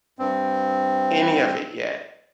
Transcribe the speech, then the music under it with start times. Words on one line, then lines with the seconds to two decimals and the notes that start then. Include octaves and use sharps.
any of it yet,
0.19 G2 C4